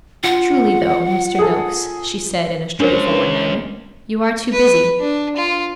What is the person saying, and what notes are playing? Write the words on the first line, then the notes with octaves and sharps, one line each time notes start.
'Truly, though, Mr. Noakes,' she said in a straightforward manner, 'you are too busy.
F4 F#5
G#4 A4
G#3 C#4 D4 A#4 C5
B4
D4
F4